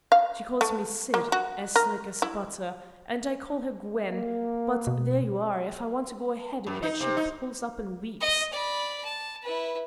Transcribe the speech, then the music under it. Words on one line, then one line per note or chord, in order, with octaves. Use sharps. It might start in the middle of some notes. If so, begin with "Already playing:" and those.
She calls me 'Syd' as slick as butter, and I call her 'Gwen'; but there you are--if I want to go ahead a bit she pulls up and weeps.
F5
A3
A#3
F#4
A#4
E4
A#3
B2
F#2
D#4
C3
D#4
D#5
D5 B5
A5
E4 B4